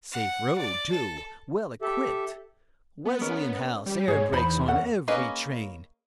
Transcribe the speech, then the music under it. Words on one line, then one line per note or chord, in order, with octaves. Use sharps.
Safe road, too; well equipped; Wesleyanhouse air brakes on every train.
F#5
D5
A4
G4 A4 E5
B3
C#4 A#4 D#5
G3
G#2 G#4 C#5
E2 D#4 C5 B5
C#4 A4 F#5
A#3 C#4 G#4 B4 D#5